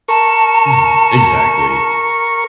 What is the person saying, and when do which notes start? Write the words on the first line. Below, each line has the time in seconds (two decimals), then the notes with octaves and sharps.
Mhm. Exactly.
0.08 A#4 A5 C#6